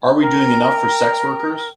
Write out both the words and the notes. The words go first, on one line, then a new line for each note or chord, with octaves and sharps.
Are we doing enough for sex workers?
A#4 G5